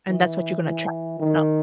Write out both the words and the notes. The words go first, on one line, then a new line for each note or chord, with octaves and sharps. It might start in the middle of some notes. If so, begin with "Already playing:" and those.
and that's what you're gonna attract yourself.
E3
E3
D#3